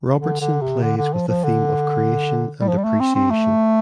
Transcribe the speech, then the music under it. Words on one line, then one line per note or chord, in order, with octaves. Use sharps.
Robertson plays with the theme of creation and appreciation.
D3
D3
C3
D3
D3
F3
F3
D3
G3
F3
G3
A3
C4
C4
A3